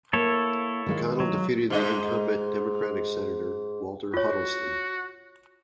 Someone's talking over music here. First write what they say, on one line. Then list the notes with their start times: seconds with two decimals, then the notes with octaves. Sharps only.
McConnell defeated the incumbent Democratic senator, Walter Huddleston.
0.13 A#3 E4 A4 C#5
0.86 D#3 G#3 F4
1.20 F#3
1.70 G#2 G#3 D#5
4.14 F4 F#4 C#5